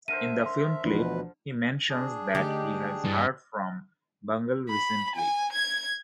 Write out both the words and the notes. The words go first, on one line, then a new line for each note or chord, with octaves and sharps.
In the film clip, he mentions that he has heard from Bungle recently.
D3 A#4 C5 E5 D#7
C6
D2 B2 E3 F3 D4 B4
D4 G#4
D3 A3 D#4 G4
G2 E4 A6
B5
G#5
G#6